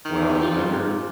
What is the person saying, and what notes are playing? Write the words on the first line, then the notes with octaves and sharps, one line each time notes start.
when I was younger,
D#3
G#4
G4
F4
C#3
C3
G#2